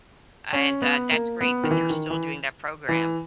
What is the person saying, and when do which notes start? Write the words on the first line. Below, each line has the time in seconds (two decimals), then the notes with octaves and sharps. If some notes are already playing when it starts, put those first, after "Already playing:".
And, uh, that's great that they're still doing that program.
0.53 C#4
0.82 B3
1.11 A#3
1.41 B3
1.64 D#3
1.71 E3
1.90 D#3
2.10 E3
2.89 E3